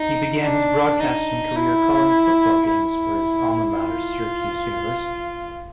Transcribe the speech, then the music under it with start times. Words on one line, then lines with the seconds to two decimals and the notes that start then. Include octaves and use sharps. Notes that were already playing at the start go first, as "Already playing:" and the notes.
He began his broadcasting career calling football games for his alma mater Syracuse University.
Already playing: D#4
0.45 D4
1.00 D#4
1.55 E4
2.67 E4
3.77 F4